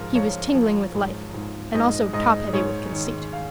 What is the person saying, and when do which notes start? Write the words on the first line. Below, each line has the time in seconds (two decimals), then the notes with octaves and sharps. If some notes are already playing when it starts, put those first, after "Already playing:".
He was tingling with life and also top-heavy with conceit.
Already playing: G#2 F3 A#4
0.15 F3 C#5
0.55 F3
0.94 G#2
1.34 G#2
1.74 G#2 D#5
2.13 G#2 D#5
2.53 G#2 C#5
2.93 D#3 C#5
3.33 F5